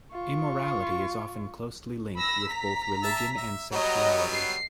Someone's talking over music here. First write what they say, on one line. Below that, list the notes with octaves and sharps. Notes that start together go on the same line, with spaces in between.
Immorality is often closely linked with both religion and sexuality.
F4 C#6
B5 E6 A#6
A#5 B6
E5 A5
E5
F#3 G3 B3 C#5 D#5 A#5
C7